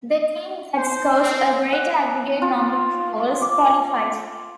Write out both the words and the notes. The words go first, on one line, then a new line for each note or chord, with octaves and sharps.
The team that scores a greater aggregate number of goals qualifies.
C5
C4
F#5
F4
D6